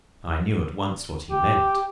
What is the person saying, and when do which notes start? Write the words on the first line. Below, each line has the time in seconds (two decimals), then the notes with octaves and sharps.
I knew at once what he meant.
1.31 G4